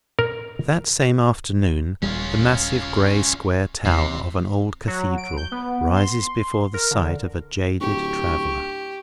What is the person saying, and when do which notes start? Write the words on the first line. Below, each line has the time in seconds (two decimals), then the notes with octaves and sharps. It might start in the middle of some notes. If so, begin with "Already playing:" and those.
That same afternoon, the massive gray square tower of an old Cathedral rises before the sight of a jaded traveller.
0.19 A#4
2.03 D#1 G3 C#4 F4
3.85 E2 C3
4.87 F#3
5.18 D7
5.37 G6
5.52 B3
5.96 C6
6.74 A#4
6.91 D3
7.81 D1 G4 C#6